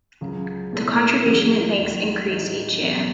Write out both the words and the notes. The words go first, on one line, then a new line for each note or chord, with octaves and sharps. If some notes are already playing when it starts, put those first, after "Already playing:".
The contribution it makes increase each year.
C#2 C#3 F#3
B2 A3 E4 A4
E2 C#3 F#3 C#4 G#4
D#2 D#3 F#3 A3
A1 A2 E3 G#3 D#4
E2 B2 F#3 C#4